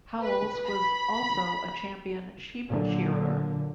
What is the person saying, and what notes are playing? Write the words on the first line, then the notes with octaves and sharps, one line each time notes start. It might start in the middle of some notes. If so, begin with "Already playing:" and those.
Howells was also a champion sheep shearer.
B4
B5
A#2 D3 F#3 A#3